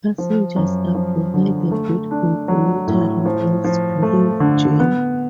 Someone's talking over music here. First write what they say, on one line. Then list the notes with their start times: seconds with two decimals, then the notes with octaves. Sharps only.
Passengers are provided with complimentary meals during the journey.
0.18 F3
0.56 F#2
0.95 F3
1.34 D3
1.71 A3
2.11 D4
2.48 F#3
2.87 A2
3.26 F3
3.64 F3
4.02 A3
4.40 D3
4.80 B3